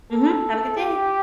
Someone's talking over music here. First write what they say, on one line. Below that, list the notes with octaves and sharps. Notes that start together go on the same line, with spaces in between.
Mhm. Have a good day.
A4
G4